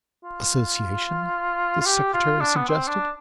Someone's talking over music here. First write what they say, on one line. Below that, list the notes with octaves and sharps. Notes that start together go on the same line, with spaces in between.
'Association?' the Secretary suggested.
F4
F4
G4
F4
D4
B3
C4
D4